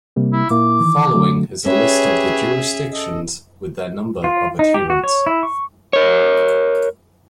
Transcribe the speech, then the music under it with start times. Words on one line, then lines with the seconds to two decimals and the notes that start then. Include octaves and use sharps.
Following is a list of the jurisdictions with their number of adherents.
0.16 C3 G3 A#3
0.32 E4
0.50 A#2 A#3 E4 D6
0.80 D#3 E3
1.14 D3 F#3 A3
1.66 C#4 G4 G#4 B4 C#5 E5
2.92 A4 D#5
4.24 F4
4.59 D#4
4.74 G4
4.90 F#4
5.04 C#5
5.26 E4
5.43 C#6
5.93 A#4 C#5